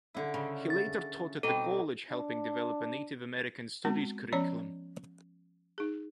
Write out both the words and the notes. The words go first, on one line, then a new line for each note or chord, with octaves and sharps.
He later taught at the college, helping develop a Native American studies curriculum.
D3 E4
C#3
A6
B2 C4 D#4 A4
D4
G#3 B3 C4 F#4
F3 B3 C#4 C#5 D5
D#4 G#4